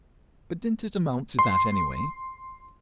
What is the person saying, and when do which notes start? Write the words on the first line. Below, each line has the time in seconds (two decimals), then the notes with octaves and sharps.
"But didn't it amount to that anyway?"
1.39 C6